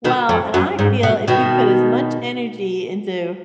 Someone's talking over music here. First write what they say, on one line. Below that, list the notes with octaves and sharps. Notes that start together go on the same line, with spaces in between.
Well, and I feel if you put as much energy into
B2 D#3
F2
F#2
G#2
B2
B2 D#3